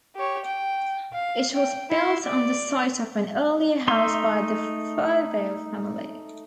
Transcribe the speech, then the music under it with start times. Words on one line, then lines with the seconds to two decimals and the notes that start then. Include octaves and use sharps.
It was built on the site of an earlier house by the Furtho family.
0.16 G4 C#5
0.45 G5
1.13 F5
1.54 G5
1.90 E4 C6
2.25 D5
3.88 A3 D#4 E5 C6